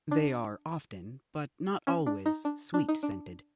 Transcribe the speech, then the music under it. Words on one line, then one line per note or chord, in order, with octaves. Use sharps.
They are often, but not always, sweet-scented.
D4
C#4
D4
D#4
D4
D4
D#4
D4